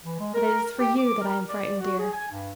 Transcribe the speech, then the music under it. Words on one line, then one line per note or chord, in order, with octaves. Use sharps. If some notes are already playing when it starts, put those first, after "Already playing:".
But it is for you that I am frightened, dear.
E3
G#3
A#4
G4
D6
A#4
D5
F#4
G#4
G#5
G2